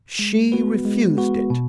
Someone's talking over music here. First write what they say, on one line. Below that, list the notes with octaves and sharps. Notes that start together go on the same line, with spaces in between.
"She refused it."
G#3
B3 F#4 B4
G#3
B3 F#4 B4
B2